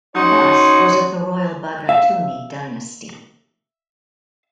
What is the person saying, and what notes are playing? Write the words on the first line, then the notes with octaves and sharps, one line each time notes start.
Abas was of the royal Bagratuni Dynasty.
C#4 D#4 F#4 C#5 C6
E5 F5